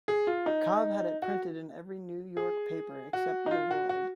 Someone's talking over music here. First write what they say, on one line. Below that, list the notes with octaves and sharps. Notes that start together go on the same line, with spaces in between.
Cobb had it printed in every New York paper-except the "World".
G#4
F4
D#4
F#4
G#4
F#4
D#4
F4
F#4
F#4